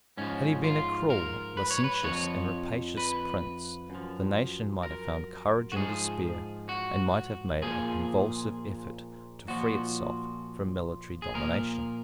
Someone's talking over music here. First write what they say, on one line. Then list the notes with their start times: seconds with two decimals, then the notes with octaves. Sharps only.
Had he been a cruel, licentious, and rapacious prince, the nation might have found courage in despair, and might have made a convulsive effort to free itself from military domination.
0.17 G#2 F3 C#4
0.64 F4
1.10 A#4
1.57 B4
1.71 C#5
1.84 B4
2.03 F2 F3 C#5
2.97 B4
3.90 F#2 F3
4.83 A#4
5.72 F#4
5.76 G#2 F3 G#4
6.69 F#4
7.62 A#2 F3 G#4
9.48 A#2 F3 F#4
11.22 G#4
11.34 A#2 F3 A#4